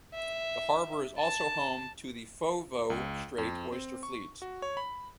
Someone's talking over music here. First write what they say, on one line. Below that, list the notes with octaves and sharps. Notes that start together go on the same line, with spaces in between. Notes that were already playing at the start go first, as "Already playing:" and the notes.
The harbour is also home to the Foveaux Strait oyster fleet.
E5
A5
C#2
F2
C4
C#6
F#4
C#5
B5